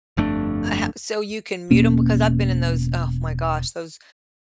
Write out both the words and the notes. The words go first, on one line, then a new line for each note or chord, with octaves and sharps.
eh, ho so you can mute 'em? Because I've been in those oh my gosh, those
G1 F2 A3 D4
E1 B2 A#3 C#4